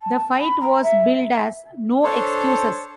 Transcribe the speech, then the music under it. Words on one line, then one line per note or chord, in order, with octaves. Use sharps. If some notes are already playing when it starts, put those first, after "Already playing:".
The fight was billed as "No Excuses".
A5
B5
A#5
E5
D4 A4 C5 C#5